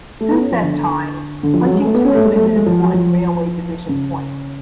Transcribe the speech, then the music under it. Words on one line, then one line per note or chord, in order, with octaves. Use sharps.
Since that time, Huntington has been an important railway division point.
A3
B3
C#4
F3
D3
D3
F3
F#3
G#3
A3
B3
C#4
A3
G#3
A3
A3
G#3
F3
F#3
F3
C#3